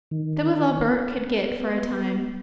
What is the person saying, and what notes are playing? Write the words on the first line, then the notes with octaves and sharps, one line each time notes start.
That was all Bert could get for a time.
D#3
B3